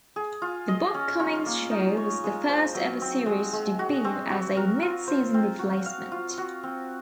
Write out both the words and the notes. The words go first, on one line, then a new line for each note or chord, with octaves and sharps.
"The Bob Cummings Show" was the first-ever series to debut as a midseason replacement.
G#4
F4
D#5
C#4
F4
A#3
D#4
C#5
G#3
C5
F#3
C4
G#3
G#3
F#4
C4
F#4
A#4
F4
C5
C4
F#4
F5
F4
F#4
C4